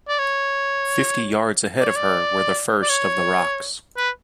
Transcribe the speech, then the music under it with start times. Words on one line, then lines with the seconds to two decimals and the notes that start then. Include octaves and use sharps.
Fifty yards ahead of her were the first of the rocks.
0.08 D5
0.19 C#5
1.81 D5
1.88 C#5
1.95 D5
2.82 D5
2.89 C#5
3.97 B4